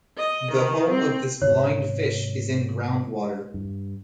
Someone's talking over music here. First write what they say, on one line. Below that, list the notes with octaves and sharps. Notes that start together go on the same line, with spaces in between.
The home of this blind fish is in groundwater.
D#5
D#3
C4
G#2 C3 D#3 C#5
G2